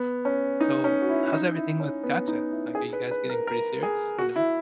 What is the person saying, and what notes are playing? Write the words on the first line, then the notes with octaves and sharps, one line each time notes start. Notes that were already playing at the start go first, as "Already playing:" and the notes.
"So, how's everything with Katya, like, are you guys getting pretty serious?" You know,
Already playing: B3
C#4
D#4
C#4
F#4
E4
E4
D#4
E4
C#4
B3
D#4
E4
G#4
B4
B4
A#4
A#4
G#4
F#4
E4